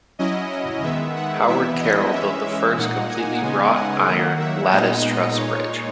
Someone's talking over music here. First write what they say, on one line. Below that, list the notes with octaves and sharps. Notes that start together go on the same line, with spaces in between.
Howard Carroll built the first completely wrought-iron lattice truss bridge.
F#3 C#4 E4 D#5
D#3 G#3 B3 E5
F#5
E3 B3 E4 E5
D#5
E3 G#3 C#4 E5
E5
A#2 A#3 D#4 F#5
G#5
C#3 G#3 B3 D#4
F#5
D#3 F#3 A#3
E5
A#2 G#3 B3 D#4 D#5
A#2 G#3 D#4 C#5